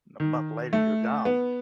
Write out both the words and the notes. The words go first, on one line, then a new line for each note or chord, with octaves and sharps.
and a month later you're gone,
D#3
A3
B3